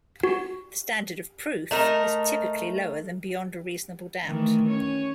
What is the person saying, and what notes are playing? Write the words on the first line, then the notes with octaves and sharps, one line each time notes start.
The standard of proof is typically lower than beyond a reasonable doubt.
F#4
A3 D#4 A#4
D#3 E3 A3
C#4 C#5